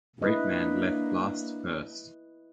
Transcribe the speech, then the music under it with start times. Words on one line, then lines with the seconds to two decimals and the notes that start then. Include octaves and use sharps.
Rapeman left Blast First!
0.22 A#3 D4 E4 B4 D#5